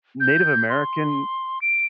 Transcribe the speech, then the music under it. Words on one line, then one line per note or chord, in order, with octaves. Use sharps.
Native American
G6
C6
D7